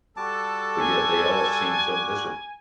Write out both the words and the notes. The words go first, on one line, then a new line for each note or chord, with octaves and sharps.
but yet they all seem so miserable.
G3 F#4 A4 A5 D6
G#5